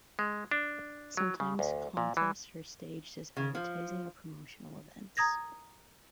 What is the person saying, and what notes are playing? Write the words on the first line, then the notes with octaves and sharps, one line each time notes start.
Sometimes, contests are staged as advertising or promotional events.
G#3
D4
F#3
C#3
D2
A#2
E3
C#3
F3
A#5 D#6 G#6 A#6